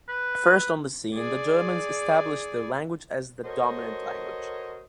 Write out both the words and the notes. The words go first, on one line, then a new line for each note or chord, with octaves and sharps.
First on the scene, the Germans established their language as the dominant language.
B4
G#4 D5
F#4 A4 A#4 C5 C#5 D#5